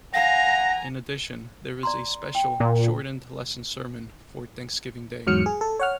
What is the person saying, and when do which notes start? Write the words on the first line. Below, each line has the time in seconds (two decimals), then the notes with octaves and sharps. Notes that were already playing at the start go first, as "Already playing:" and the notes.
In addition, there is a special, shortened Lesson-Sermon for Thanksgiving Day.
0.14 F5 F#5 G#5 A#5 A#6
1.83 D5 A#5 C6
2.35 G5
2.60 A#2
5.27 E2 G#2 F#3 F6 C#7
5.46 G#4
5.61 A4
5.80 C#5 F#5 F6